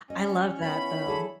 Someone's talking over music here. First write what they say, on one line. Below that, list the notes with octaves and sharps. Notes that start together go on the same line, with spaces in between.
I love that though,
C#4 D#5
B3 E4 C#5 B5
D4 G#4 A4